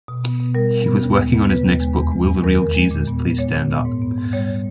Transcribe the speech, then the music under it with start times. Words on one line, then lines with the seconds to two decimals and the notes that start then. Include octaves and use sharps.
He was working on his next book Will The Real Jesus Please Stand Up?
0.08 B2
0.24 B3
0.40 B2
0.54 G3 A#4
0.71 B2
0.86 B3
1.03 D#2
1.18 G#3
1.34 B3
1.49 C#3 B4
1.65 D#2
1.80 G#3
1.97 E2
2.12 G#3
2.28 E2
2.43 D#3 A#4
2.59 E2
2.75 G#3
2.91 A#2
3.07 B3
3.22 A#2
3.38 G#3 C#5
3.54 A#2
3.70 B3
3.85 G#2
4.02 B3
4.17 G#2
4.33 G3 C#5